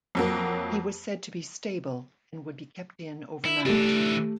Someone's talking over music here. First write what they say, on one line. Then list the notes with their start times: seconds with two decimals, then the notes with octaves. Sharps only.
He was said to be 'stable' and would be kept in overnight.
0.15 F2 F#3 A#3
3.45 E4
3.66 E3 A3 D4 G4